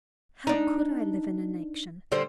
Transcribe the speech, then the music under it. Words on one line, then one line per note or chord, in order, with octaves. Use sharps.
How could I live in inaction?
D4 D#4
D3 G3 C5